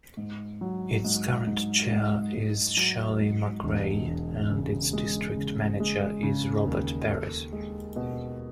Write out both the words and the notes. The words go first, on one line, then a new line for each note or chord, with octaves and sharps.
Its current chair is Shirley McRae, and its district manager is Robert Perris.
G#2
F#3
G#2
G#2
G#2
G#2
F#3
G#2
E1
E1
C#3
G#3
C#3
G#3
C#3
D#2
A4
G#3
B2